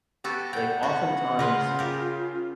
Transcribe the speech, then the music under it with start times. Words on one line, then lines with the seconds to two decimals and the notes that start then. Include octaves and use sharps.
like, oftentimes,
0.24 B3 F#4 G4 A4
0.53 A2 F#5 G5
0.83 C#3 B3 F#4
1.39 C#3 F4 A#4 B4 C6
1.79 G4 A#4